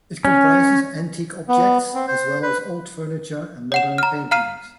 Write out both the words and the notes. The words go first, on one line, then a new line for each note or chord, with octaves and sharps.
It comprises antique objects as well as old furniture and modern paintings.
C#4
B3
C4
C5
B4
C#5 F#5 E7
A#5 F6
F5 A#5 F6 C7 D#7